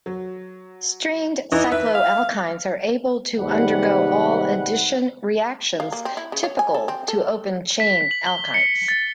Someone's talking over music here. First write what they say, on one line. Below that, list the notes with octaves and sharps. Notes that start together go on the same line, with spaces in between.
Strained cycloalkynes are able to undergo all addition reactions typical to open chain alkynes.
F#3
E3 D#4 D#5
B4 E5
F5
D#2 G#2 C3 G3 B4 F#5
F5
A#3
C4
E4
C#3
C#5
G#5
A4
C4
A4
B6
F#7
G7
C#7
A6